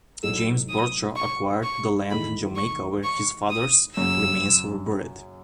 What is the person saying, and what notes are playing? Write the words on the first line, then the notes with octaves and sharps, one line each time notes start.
James Bradshaw acquired the land in Jamaica where his father's remains were buried.
A2 F#3 A3 D#4 A4 E6
D#6
C#6
C#6
E2 D#3 A3 E4 B5
C#6
C#6
D#6
F#2 C#3 F#3 E6